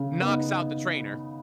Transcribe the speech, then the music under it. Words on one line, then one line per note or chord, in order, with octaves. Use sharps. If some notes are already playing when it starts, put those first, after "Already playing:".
knocks out the trainer,
Already playing: C#3
B3 D#4